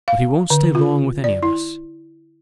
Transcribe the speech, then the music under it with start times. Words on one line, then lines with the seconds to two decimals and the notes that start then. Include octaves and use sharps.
But he won't stay long with any of us.
0.08 F5
0.50 D3
0.75 F4
1.24 D5
1.43 E4